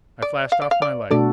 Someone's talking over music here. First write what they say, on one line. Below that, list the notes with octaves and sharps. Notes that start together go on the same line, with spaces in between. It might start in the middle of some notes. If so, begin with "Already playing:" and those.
I flashed off my light.
D5
F5
D5
F5
D5
B2 A3 D4 F#4 A4 D5